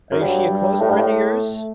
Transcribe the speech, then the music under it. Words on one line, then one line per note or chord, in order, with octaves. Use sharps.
Uh, is she a close friend of yours?
F#2
G2 F#3
G3
A2 A3
G2
A2